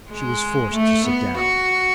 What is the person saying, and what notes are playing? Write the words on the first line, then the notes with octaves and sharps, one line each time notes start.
She was forced to sit down.
G#3
A3
B3
F#4